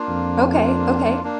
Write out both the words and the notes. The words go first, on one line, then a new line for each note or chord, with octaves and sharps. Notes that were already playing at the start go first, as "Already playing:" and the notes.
Okay, okay.
Already playing: A#3 D4 F4
F2
A#3 D4 F4
A#3 D4